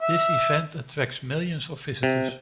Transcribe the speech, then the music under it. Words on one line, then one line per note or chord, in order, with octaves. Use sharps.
This event attracts millions of visitors.
E5
C3